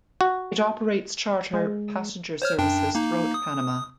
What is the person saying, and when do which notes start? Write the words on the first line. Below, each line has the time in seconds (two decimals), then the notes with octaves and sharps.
It operates charter passenger services throughout Panama.
0.21 F#4
1.54 G#3
2.42 C5 C#5 F6
2.58 F#2 D4 G5
2.95 A#3 D#4
3.34 D#6